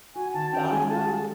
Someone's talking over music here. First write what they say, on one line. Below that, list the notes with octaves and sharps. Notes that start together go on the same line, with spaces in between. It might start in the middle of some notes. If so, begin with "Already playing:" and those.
goth rock?
F#4 G#5
D#3 A5
C#4 G5
G#3 G#5
A4 A5
G3